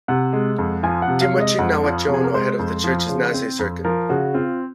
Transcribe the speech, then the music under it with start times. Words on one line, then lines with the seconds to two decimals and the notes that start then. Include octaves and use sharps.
Timoci Nawaciono, head of the church's Nasea circuit.
0.08 C3 F#5
0.33 G#3
0.58 F2
0.83 F3 G#5
1.02 F#5
1.08 C3
1.21 F5
1.33 G#3
1.40 D#5
1.58 F2 F#5
1.84 F3
2.09 C3 G#4
2.24 A#4
2.34 G#3 C5
2.59 F2
2.84 F3
3.09 C#3
3.34 C4
3.59 F2
3.84 F3 A#4
4.09 C#3 F#4
4.34 C4 F4